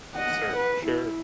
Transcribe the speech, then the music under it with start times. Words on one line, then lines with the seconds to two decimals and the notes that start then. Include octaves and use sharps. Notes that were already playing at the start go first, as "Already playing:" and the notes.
Sir sure.
0.16 D#5 F#5
0.57 B4
0.87 E4